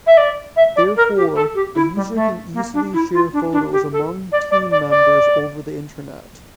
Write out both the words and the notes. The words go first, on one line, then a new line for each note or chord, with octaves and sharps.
Therefore, a user can easily share photos among team members over the Internet.
E5
D5
E5
D5
A#4
G4
A4
G4
E4
G3
A3
A#3
D4
E4
F4
D4
D4
G4
A4
D5
D5
D5
D5